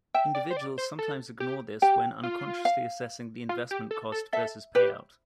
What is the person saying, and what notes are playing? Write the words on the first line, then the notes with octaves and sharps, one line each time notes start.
Individuals sometimes ignore this when unconsciously assessing the investment cost versus payout.
E5 G5
D5
C5
D5
C5
A4
G4
G4 G5
F4
F5
F4
G4
A4
A4
A4 E5
G4 B4